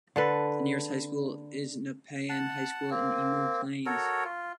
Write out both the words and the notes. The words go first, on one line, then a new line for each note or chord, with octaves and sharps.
The nearest high school is Nepean High School in Emu Plains.
D3 A4 B4
F#5 A5
A#3 C4
F#4 A4 A#4 C#5
F4